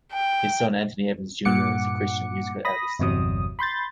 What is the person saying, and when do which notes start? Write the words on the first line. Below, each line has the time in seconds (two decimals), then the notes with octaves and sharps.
His son Anthony Evans Junior is a Christian musical artist.
0.13 G5
1.45 G2 A#2 F#5 D6 C#7
2.65 B5 D#6 A#6
2.99 G1 E2 C3 F#3 D#6
3.59 B5 C6 G6 A6